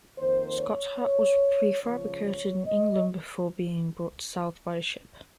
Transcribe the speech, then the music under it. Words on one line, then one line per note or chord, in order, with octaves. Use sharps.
Scott's Hut was prefabricated in England before being brought south by ship.
F2 D#3 A#3 C5
C#5
C#5
C#2 C#3 F3 C#5
C#5
D#5